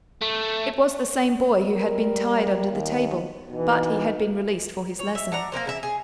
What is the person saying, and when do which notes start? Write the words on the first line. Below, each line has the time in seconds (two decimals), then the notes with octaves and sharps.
It was the same boy who had been tied under the table, but he had been released for his lesson.
0.21 A3
1.71 G3 A#4
2.72 D#2
3.51 B2 E3 D#4
4.99 C#5
5.15 E5
5.32 D4 F#5 A#5
5.52 A#3 D#4 A#4 C5
5.66 C#3 A#4 E5
5.83 G#4